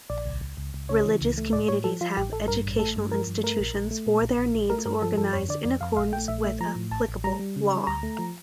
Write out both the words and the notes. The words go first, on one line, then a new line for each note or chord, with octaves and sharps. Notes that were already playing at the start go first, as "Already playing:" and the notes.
Religious communities have educational institutions for their needs organized in accordance with applicable law.
A#1 D5
C#2
C#2
C#2
C#2
C#3 C#5
E3
C#2
A3
A2 D5
A2 C#5
F3 A4
F3 F4
A1 G4
A1 A4
G2 A#4
A1
A3 A4
G2
F3 A#4
G2
A3 A#4
A#1
A#1
A3
A#2
A#1
A#1
A#1
A3 A#4
G2 A#4
F3 A4
G2 A4
F2 C#5
D3 D5
F2 D5
F2 F5
A#1 F5
A3 G5
A#1 E5
A3 E5
F3 A#5
A2
A1 A5
A1
G3 A#5
G3
C#3
G3
D2 A#5
A3
F3